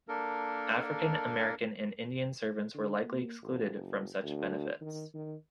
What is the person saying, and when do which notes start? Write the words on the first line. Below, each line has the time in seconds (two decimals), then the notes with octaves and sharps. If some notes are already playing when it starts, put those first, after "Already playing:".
African-American and Indian servants were likely excluded from such benefits.
0.08 A#3 D4 A4 A#4
2.74 D3
3.05 A#3
3.42 A1
3.74 F#1
4.23 D2
4.81 D#3
5.14 D#3